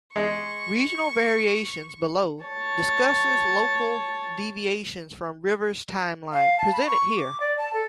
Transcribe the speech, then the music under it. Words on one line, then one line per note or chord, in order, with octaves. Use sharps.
"Regional variations" below discusses local deviations from Rivers' timeline, presented here.
G#3 C#6
C#5 A5
F5
A5
B5
C#6
D6
D5
A5
A4